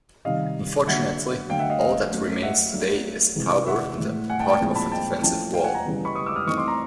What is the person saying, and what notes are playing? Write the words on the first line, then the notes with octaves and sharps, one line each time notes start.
Unfortunately, all that remains today is a tower and part of a defensive wall.
C3 D#3 G3 D#5 F5
D3 F#3 A#3 E5 F#5
D3 F#3 A3 F5 G5
E5 F#5
D#5 F5
D#5 F5
F#3 A3 C#4
E5 F#5
F#3 A3 D4
C3 E3 G#3
E5 F#5
A2 E3 G#3
F#5 G#5
G5 A5
G5 A5
A#2 F3 G#3 C4 E4
A5 B5
G5 A5
F3 A3 C#4 E4 G5 A5
F5 G5
F#5 G#5
G#5 A#5
C#3 E3 G3 B3
B5 C#6
C#6 D#6
D6 E6
D#6 F6
E3 A3 C4 D#4 C#6 D#6
C6 D6
A#5 C6